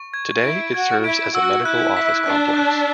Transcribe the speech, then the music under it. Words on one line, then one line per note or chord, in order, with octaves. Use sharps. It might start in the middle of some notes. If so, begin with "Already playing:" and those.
Today it serves as a medical office complex.
Already playing: C#6
G#6
E4 D7
F#4 G#6
E4 D7
F#4 E6
E4 F#6
B6
D4 F#6
F#6